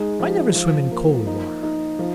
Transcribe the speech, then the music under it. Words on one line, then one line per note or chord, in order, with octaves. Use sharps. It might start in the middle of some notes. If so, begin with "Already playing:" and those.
"I never swim in cold water."
Already playing: G#3 D#4
F3
F3
A#3
D#4
D#4
F3